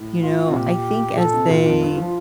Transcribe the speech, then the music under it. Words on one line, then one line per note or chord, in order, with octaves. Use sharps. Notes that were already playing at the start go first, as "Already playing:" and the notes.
you know? I think as they
Already playing: A2
F4
C3
A#2 G4
A#2 A4
C3
A#2 F4
F2
G2
F3